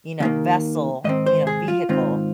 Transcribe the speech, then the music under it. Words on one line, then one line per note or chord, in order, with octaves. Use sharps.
you know, vessel, you know, vehicle,
D#2 D#3 A#3
G#2 D#3 C4 D#5
C5
G#4
F4
G#2 D#3 C4 F4